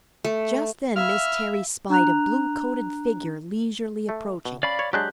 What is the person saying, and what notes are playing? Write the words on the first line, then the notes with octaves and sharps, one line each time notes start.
Just then Miss Terry spied a blue-coated figure leisurely approaching.
A3
E5 F5 G#5 B5 F6
D4 A#5 F#6 F7
A3
B2
C#4 D5 F5 B5
C#5
F#3 G#3 D4 G4 F#6 G6